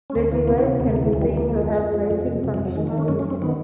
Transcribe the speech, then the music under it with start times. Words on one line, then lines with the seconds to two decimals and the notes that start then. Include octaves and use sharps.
The device can be said to have latching functionality.
0.10 C#4
0.15 D2 C4
0.24 A3
0.32 E3 A#3
0.48 C3 B3
0.58 C#4
0.64 C3 C4
0.80 D2 B3
0.86 A3
0.91 A#3
0.96 E3
1.03 A3
1.13 D2 G#3
1.22 G3
1.29 D2 G#3
1.37 A#3
1.45 F3
1.62 F2
1.78 F2
1.94 F3
2.11 F2 G#3
2.27 C3
2.43 F2 F#3
2.54 F#3
2.59 F2
2.65 F#3
2.75 D#3 G#3
2.87 A3
2.93 D#3 C#4
3.08 F#2 C#4
3.19 C#4
3.25 F#2
3.30 C4
3.42 D#3 B3